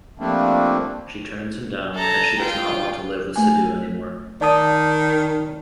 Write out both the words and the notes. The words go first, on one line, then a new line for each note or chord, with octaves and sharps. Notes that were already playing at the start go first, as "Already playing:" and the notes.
She turns him down as she does not want to live with Siddhu anymore.
F3 G3 A3 A#3 C4 D4
A4 A#5
F4 G5
A3 G#5
D#3 D5 A5 D#6